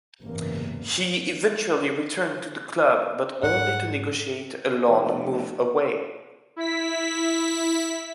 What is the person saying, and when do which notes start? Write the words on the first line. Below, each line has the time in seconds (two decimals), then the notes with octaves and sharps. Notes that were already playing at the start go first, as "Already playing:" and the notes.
He eventually returned to the club but only to negotiate a loan move away.
0.21 F#1 E2 G#2 C3 A#3
3.43 G#2 F#5
4.87 F1
6.56 E4 B6